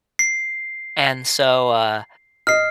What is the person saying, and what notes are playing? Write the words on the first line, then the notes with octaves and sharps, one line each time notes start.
And so, uh,
C7
D#5 F6 C7